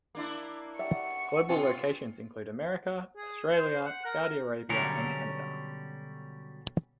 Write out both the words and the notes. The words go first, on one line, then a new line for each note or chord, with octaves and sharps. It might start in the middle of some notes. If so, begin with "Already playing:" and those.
Global locations include America, Australia, Saudi Arabia and Canada.
A#3 D4 E4
G4 D5 E5 F#5 C#6
B2 C4 C#4 F4 B4
G#4
C5
F#5
A#4
B2 D3 F#3 G3 C#4 A#4